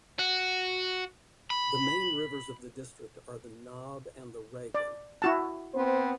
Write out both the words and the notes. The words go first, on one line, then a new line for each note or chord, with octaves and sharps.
The main rivers of the district are the Naab and the Regen.
F#4
B5
D5
E4 F#4 A5
B3 C4 C5